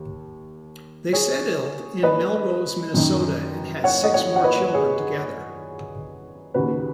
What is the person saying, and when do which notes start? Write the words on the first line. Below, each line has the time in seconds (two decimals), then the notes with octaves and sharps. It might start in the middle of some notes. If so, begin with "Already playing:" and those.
They settled in Melrose, Minnesota and had six more children together.
Already playing: D#2
1.13 G#4 C#5
2.03 B4 D#5
2.94 F#2 D#3
3.84 C#5 F#5
4.04 D#5
4.14 C#5 F#5
4.36 F#5
4.44 B4 D#5
4.74 G#4 C#5
6.54 D#2 C#3 F#4 B4